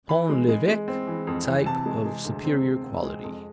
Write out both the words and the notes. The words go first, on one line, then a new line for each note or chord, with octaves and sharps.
Pont l'Eveque type of superior quality.
E3 B5
G#3
G#3
G#3
C4
E3
F2
E3
C3 A5
G#3
G#3
D2
C4
C3
C4
G#3
F2